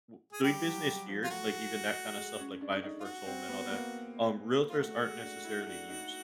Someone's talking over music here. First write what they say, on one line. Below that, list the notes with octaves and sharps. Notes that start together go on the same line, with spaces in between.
w doing business here, like, even that kinda stuff, like, buying a first home and all that, um, realtors aren't necessarily used,
G#4
G3 G4
F#3
G3
F3
F4
A3 F#4
G#3
C#4
D4
D4
D#4
F4
F#4
C4
B3
B3
A#3
F4
A3 F#4
G#3
D4
E4
D4
D#4